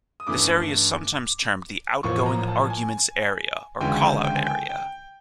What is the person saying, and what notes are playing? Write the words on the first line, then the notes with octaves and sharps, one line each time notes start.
This area is sometimes termed the "outgoing arguments area" or "callout area".
D#6
G2 E3 A3 C#4 D6
A1 A2 F3 A#3 C#6
A#5
A5
G#5
D2 C#3 E3 G#3 C#4 G5
G5
G#5
G5
G5